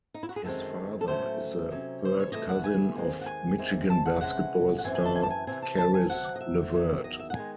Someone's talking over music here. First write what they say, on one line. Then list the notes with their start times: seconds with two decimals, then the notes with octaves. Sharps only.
His father is the third cousin of Michigan basketball star, Caris LeVert.
0.14 D#4
0.23 E4
0.29 F#4
0.36 G#4
0.44 F#2 D#3 G#3 C4 A4
1.01 A4
1.07 A2 F#3 A3 C#4 C5
1.70 C3 F#3 C#4
2.05 C5
2.19 C#5
2.32 C3 E3 A3 D#5
2.49 F#5
2.64 G#5
2.95 D#2 D#3 G#3 C4
3.21 F#5
3.26 G#5
3.58 E2 D#3 G#3 C4
3.90 A5
4.06 F#5
4.21 C3 E3 G#3 C#4 F#5
4.78 F#5
4.84 F#2 E3 C4 G#5
4.95 G#5
5.06 A5
5.16 G#5
5.23 A5
5.30 G#5
5.47 C3 E3 C4 G#5
5.62 A5
5.78 A5
5.94 G#5
6.09 C3 F#3 C4 F#5
6.36 D#5
6.41 E5
6.72 E2 D#3 F#3
7.04 D#5
7.20 E5
7.30 F#5
7.35 D#3 G#3 G#5